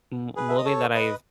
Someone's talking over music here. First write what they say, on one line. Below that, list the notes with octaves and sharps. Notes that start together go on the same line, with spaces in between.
m movie that I've
G#4 B4
E5
D#5
A4 C#5
B4 D#5